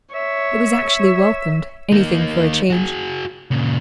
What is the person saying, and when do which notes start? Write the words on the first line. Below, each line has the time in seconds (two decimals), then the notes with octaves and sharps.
It was actually welcomed; anything for a change!
0.15 C#5 E5
1.92 A#3 D#4
2.70 F#4 G#4
3.51 A#2 C#3